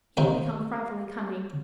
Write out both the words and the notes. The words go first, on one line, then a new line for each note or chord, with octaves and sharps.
He had become frightfully cunning.
C3 D#3 A#3 C5 C#5 G5